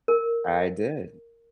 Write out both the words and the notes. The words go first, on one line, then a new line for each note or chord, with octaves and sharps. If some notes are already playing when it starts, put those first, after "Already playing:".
I did.
A#4